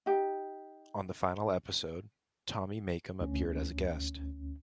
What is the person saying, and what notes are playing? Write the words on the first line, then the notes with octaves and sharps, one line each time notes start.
On the final episode, Tommy Makem appeared as a guest.
D#4 G4
D2 C#4